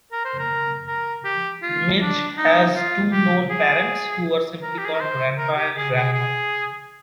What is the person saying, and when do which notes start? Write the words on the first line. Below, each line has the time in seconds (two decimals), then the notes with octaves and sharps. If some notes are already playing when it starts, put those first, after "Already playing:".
Midge has two known parents who are simply called "Grandpa" and "Grandma".
0.12 A#4
0.25 C5
0.39 A#4
0.87 A#4
1.25 G4
1.63 F4
2.00 D4
2.38 D#4
2.75 F4
3.12 G4
3.50 G#4
4.62 A#4
4.78 G4
4.85 G#4
4.93 A#4
5.00 C5
5.38 A#4
5.56 G4
5.76 G#4
5.95 G#4
6.13 G#4